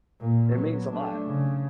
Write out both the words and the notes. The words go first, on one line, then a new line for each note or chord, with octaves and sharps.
It means a lot.
A#2
F#3 B3
A3 D4
C#3